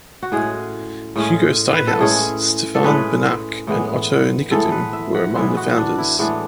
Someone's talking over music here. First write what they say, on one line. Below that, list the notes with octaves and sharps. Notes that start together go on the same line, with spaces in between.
Hugo Steinhaus, Stefan Banach and Otto Nikodym were among the founders.
F#4
A2 G#3 C#4 G#4
A2 G#3 C#4
B4
A4
A2 G#3 C#4 G#4
A4
A2 G#3 C#4 B4
A2 E3 G#3 B3
A2 E3 G#3 B3 A4
B4
E5
F#5
A2 E3 G#3 B3 E5
F#4
D4
E4
A2 E3 G#3 B3 D4